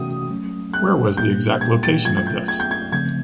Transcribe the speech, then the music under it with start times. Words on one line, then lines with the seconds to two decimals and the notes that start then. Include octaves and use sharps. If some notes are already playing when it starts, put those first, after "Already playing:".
Where was the exact location of this?
Already playing: C3 E3 A3 C#4 F#4 D#6
0.30 F#3 A3 C#4
0.73 F#6
1.17 A#2 G3 A#3 D4 G4 G6
1.61 G#6
1.83 A6
2.05 F#3 A3 C#4 F4 G#6
2.17 G#6
2.27 G6
2.48 G#6
2.60 G6
2.71 G#6
2.92 C#3 F3 A3 C4 G#6